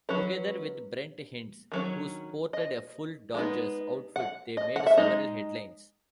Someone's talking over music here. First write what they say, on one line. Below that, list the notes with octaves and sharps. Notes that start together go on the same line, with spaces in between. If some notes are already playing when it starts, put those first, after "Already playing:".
Together with Brent Hinds who sported a full Dodgers outfit they made several headlines.
F#3 C#4 B4
D#3 F#3 C#4
D#5
G#3 B3 D#4
F#5
D#5
F#5
E5
G#3 D#4 D#5